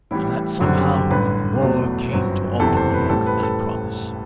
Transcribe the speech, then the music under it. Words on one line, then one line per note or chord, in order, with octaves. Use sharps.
And that somehow the war came to alter the look of that promise.
A1 A2 E3 G3 E4
F#1 F#2 D3 G3 C4 F#4
G4
G4
A1 G2 D3 B4
E2 B2 F#3 A3
G1 F#2 F#3 C4
F#1 E2 C3 E3 A4
C5
B4
A1 A2 G3 C4 A4
B4
A4